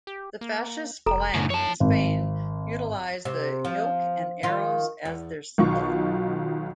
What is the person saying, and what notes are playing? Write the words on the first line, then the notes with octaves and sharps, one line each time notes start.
The fascist Falange in Spain utilized the yoke and arrows as their symbol.
G4
A#3
F1 A4 A#5
F#2 A2 C#3
C#5 A5
G#1
C3
F3
D#3 F4
E2
B1 B2 D#3 F4 C#6